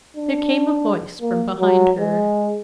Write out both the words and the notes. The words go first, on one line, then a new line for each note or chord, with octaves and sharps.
There came a voice from behind her.
D4
A#3
F#3
G#3